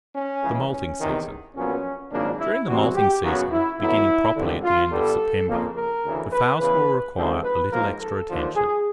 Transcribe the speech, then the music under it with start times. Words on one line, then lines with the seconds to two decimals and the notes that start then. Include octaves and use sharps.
THE MOULTING SEASON.--During the moulting season beginning properly at the end of September, the fowls will require a little extra attention.
0.14 C#4
0.43 C#2 C#3 E3
0.71 C#4
0.99 E2 C3 D#3
1.55 A#1 A#2 F#3 B3 C#4
2.11 G#1 F#2 C#3 F3 A#3 D4
2.39 E4
2.67 E2 C3 E3 G3 C4 F#4
2.95 G4
3.23 F#2 C#3 F#3 B3 F#4
3.51 E4
3.78 A1 A2 F#3 B3 E4
4.36 G#1 G2 D3
4.63 F4
4.91 G2 D3 G3 B3 A4
5.47 F2 C#3 F3 A#3
5.75 A#4
6.03 D2 C#3 E3
6.32 B4
6.59 E2 C#3 E3 B4
7.15 D#2 D3 F3 G#3 C4 C5
7.44 B4
7.71 G#2 F3 A#3 A#4
8.00 A4
8.27 D#2 D3 F3
8.55 G#4